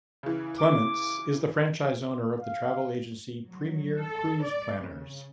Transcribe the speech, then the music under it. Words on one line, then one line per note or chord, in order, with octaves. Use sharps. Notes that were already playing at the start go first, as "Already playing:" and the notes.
Clements is the franchise owner of the travel agency Premier Cruise Planners.
C#3 E3
D6
F5
F#3
A4
D5
C#3